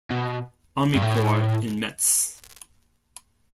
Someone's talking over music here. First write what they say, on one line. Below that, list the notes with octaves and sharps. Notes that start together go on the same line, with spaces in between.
Army Corps in Metz.
B2
G2
A2